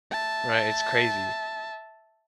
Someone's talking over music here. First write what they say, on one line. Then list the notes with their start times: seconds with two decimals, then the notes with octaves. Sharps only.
Right, it's crazy.
0.11 E5 A5